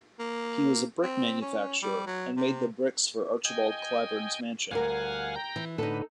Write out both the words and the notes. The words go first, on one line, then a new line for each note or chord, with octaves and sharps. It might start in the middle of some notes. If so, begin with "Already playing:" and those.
He was a brick manufacturer and made the bricks for Archibald Clybourne's mansion.
A#3
C4
C#4
G3
F#3
C3
D#5 G5 G#5
D2 G3 A#4 F5 F#5 G#5
G5 A#5
E3
A2 D3 D#4 A4 B4